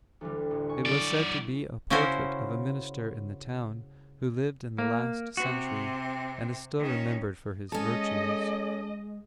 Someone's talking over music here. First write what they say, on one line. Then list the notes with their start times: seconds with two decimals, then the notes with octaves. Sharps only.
It was said to be a portrait of a minister in the town, who lived in the last century, and is still remembered for his virtues.
0.21 D2 E3 G3
0.51 A1
0.69 G#5 C#6
0.86 F#3 D5
1.03 A6
1.90 C#3 C#4 E4 F#4 A#4 C5
4.78 A#3
5.37 C3 C4 F#4
6.79 D#3 C#4
7.72 G#3 C#4 A4 D#5